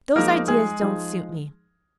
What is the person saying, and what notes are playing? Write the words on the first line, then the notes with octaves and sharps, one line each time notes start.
Those ideas don't suit me.
F3 G#3 A#3 D#4 A#4
G#3 G#4
F3 G#3 D#4